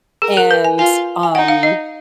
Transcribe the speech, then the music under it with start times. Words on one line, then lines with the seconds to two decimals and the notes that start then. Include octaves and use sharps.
And, um,
0.22 G#4 A#4
0.37 A#4
0.51 B4
0.64 G#5
0.78 F4 G#5
1.23 G#5
1.35 D#4 F#5
1.48 F5
1.63 D#5